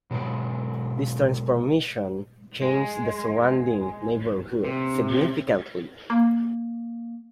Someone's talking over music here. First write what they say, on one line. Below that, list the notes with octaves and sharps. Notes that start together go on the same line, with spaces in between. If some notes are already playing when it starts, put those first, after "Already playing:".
This transformation changed the surrounding neighborhood significantly.
B2 F#3 G#3 B4
G#3
C3
A#3